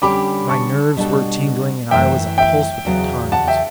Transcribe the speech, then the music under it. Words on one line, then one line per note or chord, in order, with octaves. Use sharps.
My nerves were tingling and I was a-pulse with the times.
D3 G3 C#4 G4 B5 D6
A5 C#6
B2 G3 D4 A4
F#2 E3 A3 E5 G5
E5 G5
E2 C#3 F#3 B3
F#5 A5
E5 G5